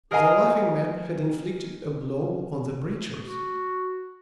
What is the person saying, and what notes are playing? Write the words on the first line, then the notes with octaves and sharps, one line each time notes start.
The Laughing Man had inflicted a blow on the preachers.
G#4 A#4 D#5 F5 G#5 A#5
F#4